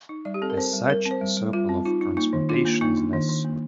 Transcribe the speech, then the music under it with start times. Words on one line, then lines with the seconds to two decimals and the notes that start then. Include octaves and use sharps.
As such, a circle of transmutation is necessary.
0.09 D#4
0.25 G3 D5
0.34 G4
0.42 C4 A4
0.50 A#4
0.57 C4 C5
0.73 G3
0.89 G3 A#4
1.06 C4
1.11 C5
1.21 G3
1.37 G3
1.53 G3 F4
1.69 C4
1.85 D#4 F4
2.01 D#4
2.17 A#3 D#4
2.33 D#3
2.49 D4 F4
2.65 A#3
2.81 A#3 D#4
2.97 D4
3.13 D#3
3.29 D#3
3.45 A#3